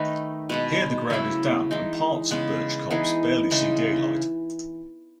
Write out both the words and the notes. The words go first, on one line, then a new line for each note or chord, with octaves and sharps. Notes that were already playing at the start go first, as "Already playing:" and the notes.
Here the ground is damp and parts of Birch Copse barely see daylight.
Already playing: D#3 A3 D#4 B4
B2 G#3 B3 B4
C#3 F#3 A3 E4 G#4
E3 G#3 D#4
C#3 G#3 B3
E3 B3 D#4 G#4
C#3 E3 G#3 D#4